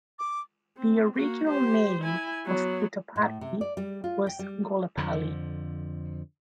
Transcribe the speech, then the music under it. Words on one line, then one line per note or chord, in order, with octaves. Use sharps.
The original name of Puttaparthi was Gollapalli.
D6
C4
A#3 F#4
G4 C5
E4 G#5
F#3 B3
A2
C3
D5
G3
F4
G5
G3
F2 D3 F3